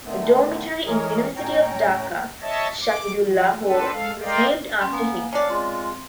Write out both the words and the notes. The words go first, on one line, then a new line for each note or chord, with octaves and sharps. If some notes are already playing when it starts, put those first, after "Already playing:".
A dormitory in University of Dhaka, Shahidullah Hall, was named after him.
D3 D#3 A3 B3 C4
E3 G#3 G#4 A#4 C#5
A2 C#4 C#5 G5 A#5
C#5 D#5 E5 A5
D6
F3
C4 D4 A4 B4
G#3 A4 F5
A#4 C5 D5 D#5 F5 G5
C#4 C6
A#3 B3 F5 G#5
C#4 D4 C#5 D5 F5
G#3 C4 F4